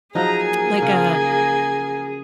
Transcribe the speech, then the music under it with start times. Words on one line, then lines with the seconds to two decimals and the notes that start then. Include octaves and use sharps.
like a
0.15 F3 F#3 D#4 G#4 A#5
0.43 A#3 G#5
0.82 C#3